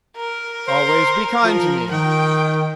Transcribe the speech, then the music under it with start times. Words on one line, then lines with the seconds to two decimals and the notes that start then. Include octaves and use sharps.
Always be kind to me.
0.16 A#4
0.67 C5
1.44 F3
1.91 D#3 G5